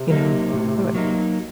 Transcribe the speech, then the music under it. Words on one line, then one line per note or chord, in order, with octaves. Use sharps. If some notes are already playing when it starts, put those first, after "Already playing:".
You know, that would
Already playing: C3
F#3 A#3 D#4
A2
F#3 A#3 D#4